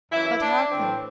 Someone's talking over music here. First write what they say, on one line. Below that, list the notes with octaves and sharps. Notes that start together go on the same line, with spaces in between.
But hearken!
F#2 E3 E4
E4
D4
A2 E3 C4